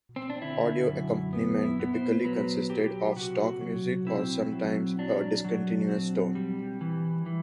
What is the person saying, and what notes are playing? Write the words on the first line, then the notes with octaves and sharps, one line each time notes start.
Audio accompaniment typically consisted of stock music or sometimes a discontinuous tone.
C4
D4
D3 E4
F#2
B3
E4
B3
C5
F#3 B4
F#3 G4
C3 F#4
F#3
C4 E4
F#3
F#3 D4
F#3
C4
G3
E3
E3